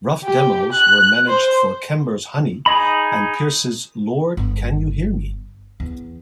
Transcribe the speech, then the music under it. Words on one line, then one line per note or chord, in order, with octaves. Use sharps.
Rough demos were managed for Kember's "Honey" and Pierce's "Lord Can You Hear Me?".
G4
F#6
C5
D#4 G#4 D#5 B5
G1
E2